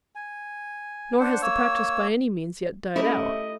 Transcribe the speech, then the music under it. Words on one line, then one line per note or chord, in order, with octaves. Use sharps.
Nor has the practice by any means yet died out.
G#5
D4 C5 F#5
A#3 C#5 E6
A3 C#4 E4 G4 A#4 D#5